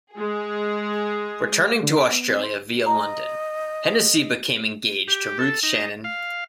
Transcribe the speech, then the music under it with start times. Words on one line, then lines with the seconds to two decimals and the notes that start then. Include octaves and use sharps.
Returning to Australia via London, Hennessy became engaged to Ruth Shannon.
0.14 G#3 G#4
1.83 D3
1.98 B5
2.11 B3
2.30 C4
2.43 C5
2.86 D#5 A#5
5.08 G4
5.39 A4
5.63 D#4
6.04 F5